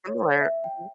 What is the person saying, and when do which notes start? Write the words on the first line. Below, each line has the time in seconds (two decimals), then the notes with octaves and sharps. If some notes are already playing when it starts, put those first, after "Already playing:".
similar. Mhm.
0.08 C#5
0.40 E5
0.64 G5